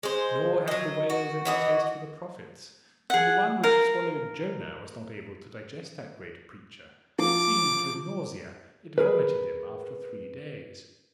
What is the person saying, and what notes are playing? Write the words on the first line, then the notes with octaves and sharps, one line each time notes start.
Nor have the whales any taste for the prophets, and the one which swallowed Jonah was not able to digest that great preacher; seized with nausea, it vomited him after three days.
G#3 C5
F#3 D#5
F#4
E3 F#4 D#5
G#4 F#5
A#4 F5
F3 D6
G#4 A#4 B4